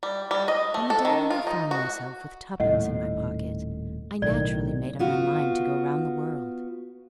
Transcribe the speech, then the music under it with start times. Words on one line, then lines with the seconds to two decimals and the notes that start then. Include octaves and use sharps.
On the day when I found myself with twopence in my pocket, I naturally made up my mind to go round the world.
0.03 G3
0.31 G3
0.48 D#5
0.74 A3
0.90 A4
1.05 D#3
1.30 F4
1.47 D#4
1.71 F#4
2.60 D#1 A2 D#5 F#5
4.22 B1 A2 D#3 D5
4.99 B3 F4 F#4